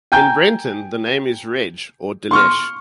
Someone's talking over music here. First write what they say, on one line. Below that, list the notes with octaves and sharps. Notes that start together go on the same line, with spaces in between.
In Breton, the name is "reg" or "delech".
G5 G#5 A#5 G6
C6 C#6 F6